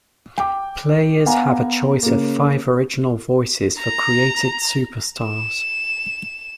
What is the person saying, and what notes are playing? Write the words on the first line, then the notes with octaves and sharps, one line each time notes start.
Players have a choice of five original voices for created superstars.
G5 D6
B3 F5 F#5 G#5 A#5
C#3 A#3
A#5
E7